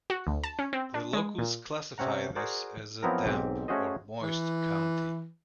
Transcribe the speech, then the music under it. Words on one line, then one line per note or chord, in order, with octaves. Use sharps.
The locals classify this as a "damp" or "moist" county.
F#4
D2
A5
C#4
C4
D4
G#3
A#2
C3 C4 C#4 F#5 A#5
F#4 G#4 A#4 C5 D5
F3 F#3 B3 C4 E4 A#4
B1 G#2 C4 G4
A3 C#4 F#4 G#4 C5 D#5
E3